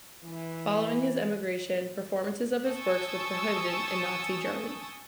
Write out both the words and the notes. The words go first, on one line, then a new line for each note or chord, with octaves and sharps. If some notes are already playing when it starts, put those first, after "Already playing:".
Following his emigration, performances of his works were prohibited in Nazi Germany.
E3
G#5 A5 C#6 D#6 E6 G6